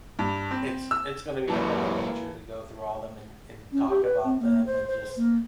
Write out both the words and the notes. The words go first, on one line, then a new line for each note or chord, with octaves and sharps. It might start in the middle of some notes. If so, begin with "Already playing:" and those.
it's it's gonna be a fun adventure to go through all of them and and talk about them and just
G2
C4
E6
C2 F#2 E3 F#3 G#3 A#3 A5
C#4
G4
B4
C4
A#3
C5
C5
A#3